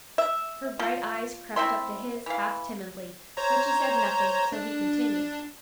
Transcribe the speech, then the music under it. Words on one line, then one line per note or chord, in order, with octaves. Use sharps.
Her bright eyes crept up to his, half-timidly; but she said nothing, so he continued.
E5
F3
C4 E4 E5 C6
E3 F5
C5 C#5 A#5
D4